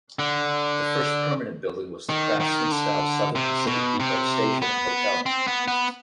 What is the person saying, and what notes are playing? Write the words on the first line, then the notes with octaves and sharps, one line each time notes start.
The first permanent building was the craftsman style Southern Pacific Depot station and hotel.
D3
D#3
D#3
D3
C3
B2
C3
B3
C4
B3
B3